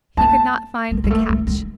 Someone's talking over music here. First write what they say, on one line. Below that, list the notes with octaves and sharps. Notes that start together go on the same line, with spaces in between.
He could not find the catch.
A#3 A5
G#3
G#3
A3
G#3
G#3